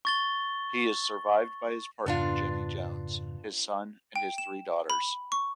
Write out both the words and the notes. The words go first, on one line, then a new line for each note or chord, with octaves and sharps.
He is survived by his partner Jennie Jones, his son and his three daughters.
C#6 A6 G7
F2 G#2 C#3 B3 D4 F4
G5
E7
B5
C#6